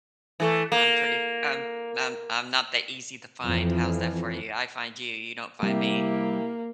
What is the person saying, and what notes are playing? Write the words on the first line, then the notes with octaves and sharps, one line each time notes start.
I'm pretty I'm I'm I'm not that easy to find, how's that for you? I find you, you don't find me.
E3 A3
A#3
F2 E3 F3
C3 G3 A#3 E4 G4